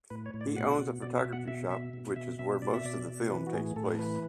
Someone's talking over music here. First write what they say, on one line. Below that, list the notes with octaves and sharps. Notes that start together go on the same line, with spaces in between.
He owns a photography shop, which is where most of the film takes place.
A2 B4
C#5
A2
D5
B2 F#5
B2
B2 D5
E5
B2
F#5
B2 E5
B2 E5
B2
B2 E5
B2 E5
B2 D5
E5
B2 D5
B2
E3 B4
F#4
A2 G#4
A2 A4
E3 B4